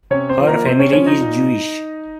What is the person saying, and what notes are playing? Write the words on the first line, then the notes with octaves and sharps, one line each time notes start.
Her family is Jewish.
C3 C#4 C#5
C4 C5
F3
A#3 A#4
C3 C4 C5
C#4 C#5
F3 C#4 C#5
D#4 D#5
A#2